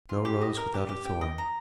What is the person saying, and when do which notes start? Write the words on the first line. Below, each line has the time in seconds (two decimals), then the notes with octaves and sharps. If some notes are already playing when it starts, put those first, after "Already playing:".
No rose without a thorn.
0.09 F4
0.25 G4
0.41 D#5
0.57 A#4
0.74 G4
0.89 G4
1.05 G5
1.21 D#5
1.38 A#5